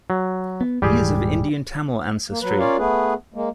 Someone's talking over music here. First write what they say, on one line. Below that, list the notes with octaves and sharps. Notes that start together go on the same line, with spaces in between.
He is of Indian Tamil ancestry.
F#3
B3
D#1 G#2 E3 G3 G4 G#4
A#3
F#3 B4
C#4 F4 A#4 C#5 D5 F5
A3 B3 G#4 B4
G#3 A#3